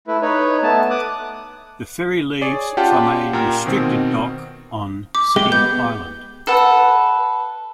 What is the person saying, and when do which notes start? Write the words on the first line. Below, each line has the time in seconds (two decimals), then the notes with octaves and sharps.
The ferry leaves from a restricted dock on City Island.
0.08 A3 E4 B4
0.22 D#4 B4 C#5
0.63 A3 B3 A5
0.90 D6 D#6 F#6
2.41 G#4 C#5 D5
2.77 C#4 F4 G4 F#5 G5 A5
3.33 A#2 G5 A#5 F6
3.66 B2 D#3 C4
5.15 D6
5.36 G#3 G4 G7
5.52 B3 G6
6.47 A4 B4 F#5